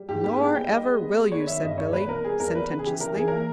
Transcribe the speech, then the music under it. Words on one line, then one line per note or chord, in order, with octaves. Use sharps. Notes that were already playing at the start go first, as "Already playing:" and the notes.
"Nor ever will you," said Billy, sententiously.
Already playing: G3
G#2 G4
B3 G4
B3 G#4
B3 G5
G3 D#5
G#3
B3
G#3
B3 C#5
D#3 E5
G2 D#5
E2 C#5
B3 B4
B2 A#4
G3 G#4
E2 A#4
B3 B4
C#3
G#4
E3 G4
E3 A#4
E3 G#4
A#3 A#4